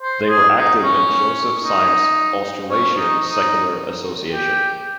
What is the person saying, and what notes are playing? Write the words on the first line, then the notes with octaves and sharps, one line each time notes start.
They were active in Joseph Symes's Australasian Secular Association.
C5
G#4
D#4
C#4
D#4
C#4
D#4
D#4
G4